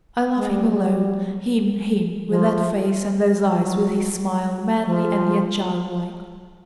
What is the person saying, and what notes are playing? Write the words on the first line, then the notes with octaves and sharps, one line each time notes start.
I love him alone, him, him, with that face and those eyes, with his smile, manly and yet childlike....
G#3
G3
F#3
G3
F3
F#3
F3